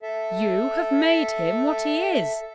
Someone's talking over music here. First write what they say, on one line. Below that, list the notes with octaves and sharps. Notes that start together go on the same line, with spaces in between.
You have made him what he is!'
A4 E5